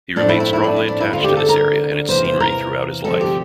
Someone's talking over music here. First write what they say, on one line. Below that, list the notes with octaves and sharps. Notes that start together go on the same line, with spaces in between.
He remained strongly attached to this area and its scenery throughout his life.
A2 F3 C4 D4
E4
E4
E4
D4
E4
D4
E4
D2 D3 A3 C4 F4
G4
A4
A#4
E2 C3 E3 A#3 C5
C5
A#4
D2 C3 F3 C4 A4
G4